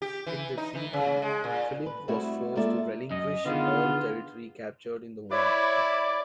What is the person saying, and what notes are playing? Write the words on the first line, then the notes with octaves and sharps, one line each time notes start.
In the treaty, Philip was forced to relinquish all territory captured in the war.
G4
E3
D#4
E3
C#3
G#3
A#2
B4
G3 A3 C4 E4 F#4 G#4
G#3 A#3 F4 A4 D5 E5
F#2 D#5
D3 D#3 B3 F4 G#4
E4 C#5 D5 B5